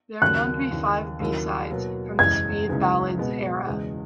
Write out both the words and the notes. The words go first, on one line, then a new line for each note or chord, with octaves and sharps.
There are known to be five B-sides from the "Speed Ballads" era.
D#2 C#3 F#3 A#3 F#6
D#2 C#3 E3
D#2 C#3 F#3 A#3 E4
B2 F#3 A#3
F#1 E2 C#3 E3 G#3 G#6
C#2 C#3 E3 G#3 D#4
B2 G#3 B3
E2 C#3 G#3